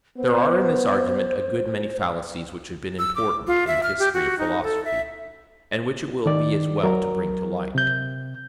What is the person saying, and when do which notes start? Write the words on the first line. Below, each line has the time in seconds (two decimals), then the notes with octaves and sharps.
There are in this argument a good many fallacies which have been important in the history of philosophy, and which it will be as well to bring to light.
0.17 B3 C5
2.99 E6
3.16 D6
3.47 F4
3.67 E5
3.83 F6
3.99 G4
4.14 F#4
4.38 D#4
4.63 A4
4.85 E5
6.26 D#3 D5
6.83 F#3 A#4
7.75 C3 G6